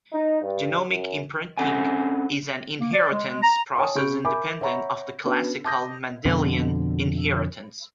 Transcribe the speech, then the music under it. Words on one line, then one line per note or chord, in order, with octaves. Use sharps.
Genomic imprinting is an inheritance process independent of the classical Mendelian inheritance.
D#4
G2
F#2
C4 C#4 A4 F#5 G#5
A#3
D5
G#3
A#5
C#5 G#5 A5 D#6
C#3 G#4 B5 C#6 G6 D7
A#4 E5 G#5 B5 D6
C#5 E5 F#5 A#5 B5 C#6
B3 C#4 D4 F#4 B4
A5 D6 D#6 G6 A#6
F2 B2 D3